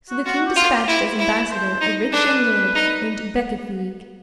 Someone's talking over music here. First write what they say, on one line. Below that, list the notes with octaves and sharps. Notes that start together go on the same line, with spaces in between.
So the King despatched as ambassador a rich young lord named Becafigue.
F#4
F4 F#4
F#4
G4
F4
E4
E4
C5
D#4
D4 B4
D#4